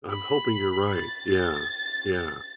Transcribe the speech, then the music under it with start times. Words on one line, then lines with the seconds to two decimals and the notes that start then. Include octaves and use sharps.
I'm hoping you're right, yeah. Yeah,
0.11 B5
0.94 A6